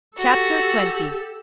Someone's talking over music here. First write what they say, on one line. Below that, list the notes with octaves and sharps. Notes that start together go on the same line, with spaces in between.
Chapter XX.
F#4 G4 A4